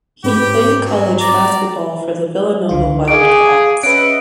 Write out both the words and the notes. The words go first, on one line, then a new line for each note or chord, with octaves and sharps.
He played college basketball for the Villanova Wildcats.
G#2 C4 G4 B4 G5
F#3
D5 A#5
C#2 D3 F4
G#4 F5 C#6 D6 D7
C#4 B4 D#5 E5 F#5 D7